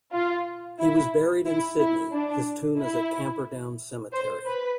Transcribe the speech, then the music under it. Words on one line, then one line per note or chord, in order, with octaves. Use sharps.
He was buried in Sydney; his tomb is at Camperdown Cemetery.
F4
E4
E4
E4
D4
E4
C5
B4